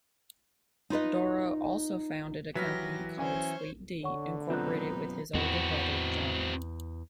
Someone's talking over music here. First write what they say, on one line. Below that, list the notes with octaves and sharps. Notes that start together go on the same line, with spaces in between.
Dorough also founded a company called Sweet D, Incorporated with his older brother John.
D#4 F4 B4 D#5
E3 F#3 G4 B4 F6 A#6 B6
C#4 C5 C#5
D3 C#5 F#5 C#6
F#2 B2 C4 D#4 F4 B4 A#5 F#6
E2 C4 F#4